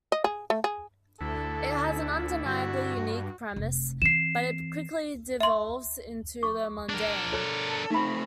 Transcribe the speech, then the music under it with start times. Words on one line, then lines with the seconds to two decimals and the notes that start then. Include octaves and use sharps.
It has an undeniably unique premise, but it quickly devolves into the mundane.
0.12 D#5
0.24 G#4
0.50 A3
0.64 G#4
1.21 D2 D3 E4 A4
2.45 G2 F#4
3.56 F1
4.02 E3 C4 C7 E7
5.40 E5 C6
6.43 C#6 D6
6.89 D4 A#4
7.33 A4 C#5
7.90 A3 C4 D#4 B5